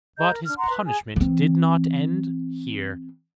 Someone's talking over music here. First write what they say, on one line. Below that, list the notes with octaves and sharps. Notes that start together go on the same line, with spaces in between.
But his punishment did not end here.
G#4 D#5 A#5 G6
A#4
D4 F6
F#5 A#5 C6
B4
G#4 G#5
E3 C4